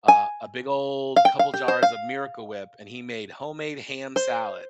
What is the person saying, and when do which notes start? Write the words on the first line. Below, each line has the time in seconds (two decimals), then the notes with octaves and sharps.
a a big old couple jars of Miracle Whip, and he made homemade ham salad.
0.08 G#5
1.16 F5
1.25 G5
1.39 F5
1.54 G4
1.68 C5
1.83 F5
4.16 C5